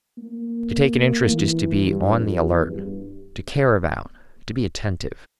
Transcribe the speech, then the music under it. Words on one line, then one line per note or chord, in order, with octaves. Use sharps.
To take an interest is to be on the alert, to care about, to be attentive.
A#3
E3
G2
F2
E2
G2